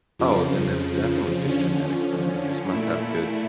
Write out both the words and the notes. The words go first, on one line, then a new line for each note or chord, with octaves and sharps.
Oh, then it's definitely good genetics then. You just must have good,
F2 C#3 F3
D3 F3 C#4
A#2 A3 E4